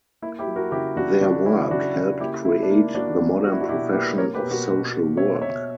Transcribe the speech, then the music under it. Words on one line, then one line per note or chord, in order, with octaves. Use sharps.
Their work helped create the modern profession of social work.
A#3 E4
E4 G4
F#3
F#4 A#4
C#3 E4 G4
C#3 D4 F#4
C#3 D4 F#4
F#3 E4
C#3 D4 F#4
C#3
A#3 E4 G4
A#3 E4
D4
A#3 E4
A#3 D4 F#4
A#3
A#3 F#4
E4
D4 F#4
B2 E4 G4
A#3 G4 B4
A#3 A#4 C#5
G4 B4
B2
F#4 A#4
B2
B2
B2 C#5 E5
B2 C#5 E5